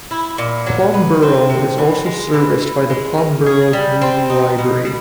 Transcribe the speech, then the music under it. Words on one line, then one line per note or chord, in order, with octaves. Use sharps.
Plum Borough is also serviced by the Plum Borough Community Library.
E4
A#2
F#3
B3
C4
C3
E3
G#3
E3
E3
G#3
C#4
G#4
G3
C4
D#4
B2
B2